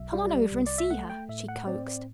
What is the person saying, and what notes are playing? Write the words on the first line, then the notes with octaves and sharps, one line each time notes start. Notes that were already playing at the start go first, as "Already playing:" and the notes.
"Come on over and see her," she coaxed.
Already playing: B1 E5
G3
C2
D5
E5
A3 F#5
G5
A2 E5
F#5
C4 D5
D5